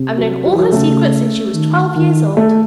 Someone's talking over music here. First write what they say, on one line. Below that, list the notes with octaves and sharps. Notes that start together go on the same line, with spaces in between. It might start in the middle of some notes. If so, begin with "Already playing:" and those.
I've known all her secrets since she was twelve years old.
Already playing: C3
F#3
F#3
E3
F#3
C#3 A3
D#3
D#3
A3